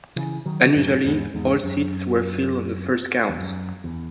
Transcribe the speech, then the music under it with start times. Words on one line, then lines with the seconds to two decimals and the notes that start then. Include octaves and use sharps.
Unusually, all seats were filled on the first count.
0.16 C#3 E3
0.46 D#3 F#3
0.75 F#2 A2
1.05 E2 G#2
1.34 E2 G#2
1.64 F#2
3.29 E2
3.40 F#2
3.84 E2